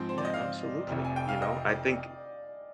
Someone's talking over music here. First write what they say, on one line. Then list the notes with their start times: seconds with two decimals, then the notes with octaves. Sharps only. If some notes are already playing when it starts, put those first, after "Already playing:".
Yeah, absolutely, you know? I think
Already playing: G#2 F3 C4 G5
0.09 C5
0.18 D5
0.25 D#5
0.34 F5
0.87 F1 F2 C3
1.05 G#5
1.16 G5
1.29 F5
1.42 D#5
1.69 D5